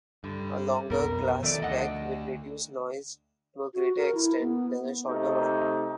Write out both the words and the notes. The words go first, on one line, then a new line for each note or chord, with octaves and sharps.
A longer glasspack will reduce noise to a greater extent than a shorter one.
G2 D3
B1 F2 G3 B3 A#4
D#3 F3 A3 A4 D5
D2 D#5 F#5
F#4
A#4
E4
B3
C3 A3 D#4